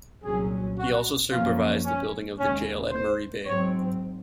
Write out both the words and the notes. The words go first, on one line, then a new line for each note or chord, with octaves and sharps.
He also supervised the building of a jail at Murray Bay.
C2 A#2 F#3 C#4 G#4
F#4
F#2 F3 A#3 C#4 F4
C#4
D#2 C#3 G#3 C#4
C5
G#2 F#3 C4 C#5